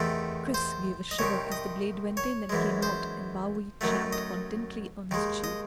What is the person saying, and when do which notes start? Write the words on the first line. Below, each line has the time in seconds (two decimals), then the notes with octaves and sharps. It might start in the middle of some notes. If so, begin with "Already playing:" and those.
Chris gave a shiver as the blade went in and came out and Bowie champed contentedly on his chew.
Already playing: E2 C3 D#3 A3 A4
0.54 C5
1.11 D#5
1.19 C2 C3 D#3 C#5
1.52 D#5
2.17 C#5
2.49 F#2 E3 G#3
2.83 C5
3.81 F#2 D#3 F#3 A3
4.13 D#5
5.11 D#2 D#3 G#3
5.44 D#5